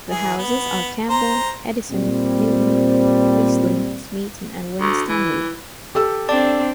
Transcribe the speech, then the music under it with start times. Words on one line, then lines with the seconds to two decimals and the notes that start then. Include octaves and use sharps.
The houses are Campbell, Edison, Newton, Priestley, Smeaton and Winstanley.
0.10 E3 G#4
0.38 B3
1.09 C5 A#5
1.91 A#2 G3 C4
4.80 D2
5.08 E3
5.95 G4 A4 E6
6.29 C4 D4 D5 A5 D6